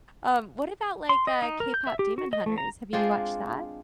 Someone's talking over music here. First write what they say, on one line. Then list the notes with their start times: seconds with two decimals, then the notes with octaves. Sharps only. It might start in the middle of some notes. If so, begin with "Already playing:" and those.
Um, what about, like, uh, K-Pop Demon Hunters? Have you watched that?
1.09 C6
1.27 D#5
1.42 D#4
1.60 A#4
1.74 G6
1.87 E5
1.99 G4
2.18 F#4
2.33 D#5
2.46 A3
2.58 A#5
2.93 G#3 C4 D4 F4